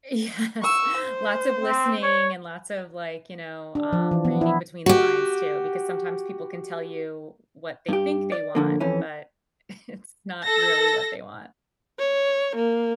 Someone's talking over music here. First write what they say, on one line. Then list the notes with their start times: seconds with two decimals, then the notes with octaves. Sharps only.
Yes. Lots of listening and lots of, like, you know, um, reading between the lines, too. Because sometimes people can tell you what they think they want, but it's not really what they want.
0.62 C#6 E6
0.97 C5
1.64 C4
2.03 C#5
3.75 D4
3.93 F3
4.11 E3
4.25 B3
4.41 E4
4.86 F#4 G4
7.89 G2 G4
8.32 D5
8.55 F2 D3 A#3
8.80 F2 E3 C#4
10.44 A4 A#6
11.99 C#5
12.56 A#3